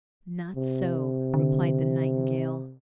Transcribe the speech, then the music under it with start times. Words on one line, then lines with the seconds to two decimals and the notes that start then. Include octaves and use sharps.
"Not so," replied the Nightingale.
0.56 C3
1.34 D3